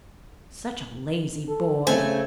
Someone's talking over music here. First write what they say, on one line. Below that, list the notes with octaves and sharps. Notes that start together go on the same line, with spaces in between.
Such a lazy boy!
A4
C#3 A3 C4 G#5